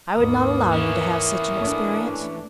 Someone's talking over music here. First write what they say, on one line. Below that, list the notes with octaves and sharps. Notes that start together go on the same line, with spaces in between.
I would not allow you to have such an experience.
D#2 G#2 A#3 B3 D#6
E3 C#4
A3 D4